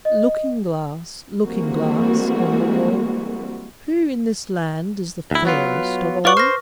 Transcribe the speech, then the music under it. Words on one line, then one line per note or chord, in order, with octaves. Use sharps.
"Looking-glass, Looking-glass, on the wall, Who in this land is the fairest of all?"
D#5
E3 G3 G#3 A#3 C4 F#4
D2 E4
F#3 B3 F4
F4 B4 D5 F#5 C#6 D6
C5 F6 A#6